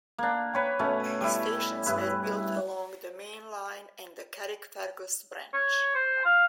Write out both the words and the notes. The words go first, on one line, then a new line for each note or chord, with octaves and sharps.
Stations were built along the main line and the Carrickfergus branch.
A#3 D4
B4 C#5 G5
B2 A3 C#4
G3 E4
G2 E4 B4
C#5
C5
F5